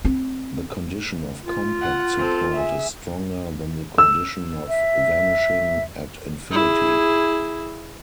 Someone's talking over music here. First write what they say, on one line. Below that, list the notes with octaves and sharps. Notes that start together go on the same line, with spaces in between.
The condition of compact support is stronger than the condition of vanishing at infinity.
C4
F4
F#5
C4 A4
G#4 E5
E6
E5
E4 G#4